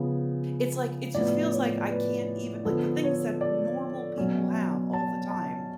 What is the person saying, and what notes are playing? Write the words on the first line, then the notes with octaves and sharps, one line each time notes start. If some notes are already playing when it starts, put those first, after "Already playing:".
it's like it just feels like I can't even like, the things that normal people have all the time.
Already playing: C#3 F3 B3
A2 F3 B3 D5
C#5
B4
D3 F3 B3 A4
C#5
D5
B2 F#3 C#4
A5
A5